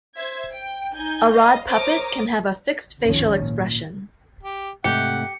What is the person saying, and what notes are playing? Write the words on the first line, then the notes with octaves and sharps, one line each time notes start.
A rod puppet can have a fixed facial expression.
C5 E5 G#6
G5
D#4 G#5 G6
D#5 F5
A#4 C5 C#5 A#5 D6 D#6
G#1 C#2 G2 D#3 F3 C#4
A#2
G4
G#2 C3 A3 G4 F#5 C#7